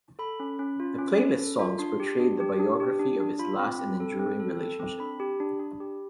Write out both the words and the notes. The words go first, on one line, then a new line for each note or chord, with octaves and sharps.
The playlist songs portrayed the biography of his last and enduring relationship.
A4 B5
C#4
C#4
F4
C#4
C#4
A4
F4
D4 C6
G4
D4
G4
D4
G4
D4
D4
F4 B5
C4
C4
A4
C4
A4
A4
C4
D4 B5
G4
D4
D4
G4